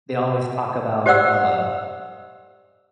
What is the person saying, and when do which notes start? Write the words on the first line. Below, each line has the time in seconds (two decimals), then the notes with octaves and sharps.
they always talk about, uh,
1.06 G4 C5 D5 F#5 E6